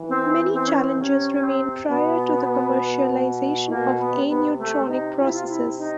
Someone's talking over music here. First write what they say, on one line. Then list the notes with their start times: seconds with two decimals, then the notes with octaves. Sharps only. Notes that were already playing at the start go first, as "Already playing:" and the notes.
Many challenges remain prior to the commercialization of aneutronic processes.
Already playing: E3
0.09 C4
0.53 C4
0.67 C#4
0.80 C4
0.99 C3 C#4
1.34 C#4
1.43 C4
1.89 B2 B3
3.69 B2 A#3
3.98 B3
4.13 C3
4.29 B3
4.58 A3
4.88 D#4
5.19 F4
5.26 E4
5.34 F4
5.49 E4
5.78 D#4